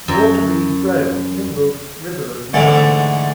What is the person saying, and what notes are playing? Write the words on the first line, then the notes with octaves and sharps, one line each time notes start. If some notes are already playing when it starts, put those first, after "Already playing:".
The water-beads broke, mingled--rivulets now.
F#2
G#2 D3 E3 A3